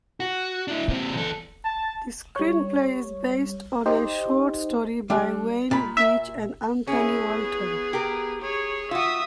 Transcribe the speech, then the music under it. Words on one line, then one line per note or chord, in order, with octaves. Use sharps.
The screenplay is based on a short story by Wayne Beach and Anthony Walton.
F#4
D4 E4
A#2 C4
E2 A4
A5
G3 C#5
D#4 G4 C5 D#5
G3 D4
A#2 B5
E5
B3 C#4 E4 G#4
G4 A#4
G#4 C#5
F4 F#4 E5 D#6